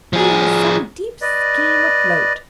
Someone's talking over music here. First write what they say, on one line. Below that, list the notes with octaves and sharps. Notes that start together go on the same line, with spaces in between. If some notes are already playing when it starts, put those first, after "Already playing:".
He has some deep scheme afloat.
F3 G#4
B4 D5 D#5